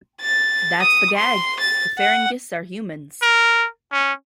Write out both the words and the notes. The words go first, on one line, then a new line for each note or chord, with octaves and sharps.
That's the gag, the Ferengis are Humans.
A6
D#6
C6
A6
F#5
A#4
C#4